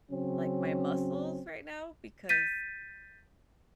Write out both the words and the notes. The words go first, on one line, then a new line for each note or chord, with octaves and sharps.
like, my muscles right now because
C#3 F#3 C4 C#4
G6 A6 B6 D#7